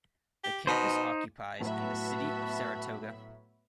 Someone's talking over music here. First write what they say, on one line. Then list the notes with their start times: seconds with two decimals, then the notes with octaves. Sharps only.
The campus occupies in the city of Saratoga.
0.44 G4
0.67 B2 D#4 C5
1.60 A2 F#3 B3 F#4 E5 A5 B5